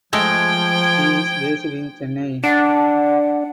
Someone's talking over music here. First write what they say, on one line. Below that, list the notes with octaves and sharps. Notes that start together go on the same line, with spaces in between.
He is based in Chennai.
F3 G#3 A3 G5 G#6
D4 F#5